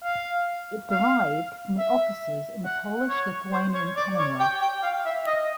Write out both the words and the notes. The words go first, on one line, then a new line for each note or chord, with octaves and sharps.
It derived from the offices in the Polish-Lithuanian Commonwealth.
F5
F5
E5
F#5
C#5
C5
C#5
D5
C#5
G5
G5
F5
E5
D#5